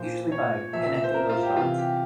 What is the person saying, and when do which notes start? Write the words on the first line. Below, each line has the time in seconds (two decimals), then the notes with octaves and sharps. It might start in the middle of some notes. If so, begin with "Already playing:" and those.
usually by connecting those dots,
Already playing: A#2 F3 C5
0.31 C#5
0.73 A#2 F3 E5
0.84 E5
0.94 E5
1.04 C5
1.14 A#4
1.29 F4
1.43 G4
1.57 C3 E3 F4
1.78 G4